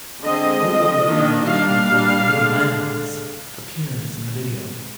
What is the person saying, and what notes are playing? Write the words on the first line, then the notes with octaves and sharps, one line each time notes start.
Playboy Playmate Nicole Marie Lenz appears in the video.
D3 G#3 C4 D#5
F3 C4
D#3 A#3 D4
G3 A#3 D4 F5
G3 A#3 D4
D3 G#3 D4